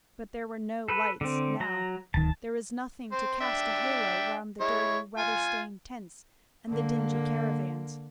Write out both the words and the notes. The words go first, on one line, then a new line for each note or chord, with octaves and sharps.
But there were no lights now; there was nothing to cast a halo round the dirty, weather-stained tents and the dingy caravans.
A4 B4
D3 C4
F#3 A#5
D1 D#3 A5
C4 C5
D4 E5 G5
G#3 E4 C#5
F4 G#5
D3 A#3